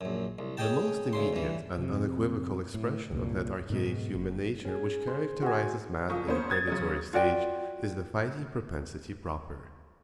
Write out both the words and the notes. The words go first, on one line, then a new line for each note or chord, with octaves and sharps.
The most immediate and unequivocal expression of that archaic human nature which characterizes man in the predatory stage is the fighting propensity proper.
A#1 F#2
C2
C#4 G#4 D#5 G5 A5
D2 C#3 C6
G2 E3
F2 C3
A2
C2 A#2
G#2 B2 G#3
F#1
C#4 G#4
C5
F#4 G#5
F#1 F4 C#6 D#6
A#3 B3 C#4 A#4 C5
D#6 G#6 A6
F#2 C#3 C#4
F4 F#4 D5 G5